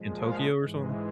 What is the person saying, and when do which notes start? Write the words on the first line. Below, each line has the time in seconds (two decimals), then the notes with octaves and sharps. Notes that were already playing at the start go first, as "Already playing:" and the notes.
in Tokyo or something?
Already playing: A#2 F3 G#3
0.26 F5
0.60 G#2 E3 G#3